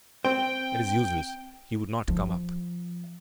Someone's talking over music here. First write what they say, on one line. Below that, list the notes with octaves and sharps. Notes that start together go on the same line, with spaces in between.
"It is useless; he would not come up."
C4 C5 G5
F3